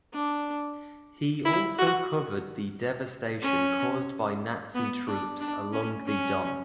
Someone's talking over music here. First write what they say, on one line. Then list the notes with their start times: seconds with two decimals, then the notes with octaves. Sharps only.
He also covered the devastation caused by Nazi troops along the Don.
0.13 D4
1.45 E4
1.78 F#4
3.42 C#4
4.75 B3
5.08 D4
5.40 D4
5.73 C#4
6.06 C#4